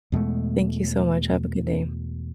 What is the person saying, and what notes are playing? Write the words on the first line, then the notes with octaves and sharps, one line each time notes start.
Thank you so much, have a good day.
E2 B2 G#3 A3